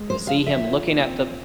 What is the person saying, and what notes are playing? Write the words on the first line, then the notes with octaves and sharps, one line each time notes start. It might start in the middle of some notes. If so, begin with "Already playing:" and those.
you see him looking at the
Already playing: G#3
C5
F3 F5
E5
A#2
C4